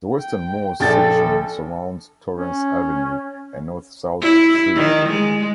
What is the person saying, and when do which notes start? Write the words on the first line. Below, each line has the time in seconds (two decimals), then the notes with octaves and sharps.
The westernmost section surrounds Torrence Avenue, a north-south street.
0.20 G5
0.80 A#1 A4 G5 A6
2.38 C#4
4.21 E4
4.76 D#3
5.09 G#3